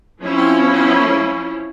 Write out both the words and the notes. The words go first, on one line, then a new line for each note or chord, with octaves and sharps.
Oh no.
F3 C#4 E4